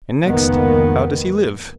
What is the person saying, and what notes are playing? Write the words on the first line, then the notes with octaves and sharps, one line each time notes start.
And next, how does he live?
F1 C#2 D#3 A#3 B3